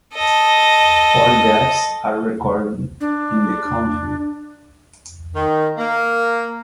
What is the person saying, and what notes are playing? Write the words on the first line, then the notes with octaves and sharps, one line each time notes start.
Four deaths are recorded in the country.
A4 D#5
D4
D#3
A#3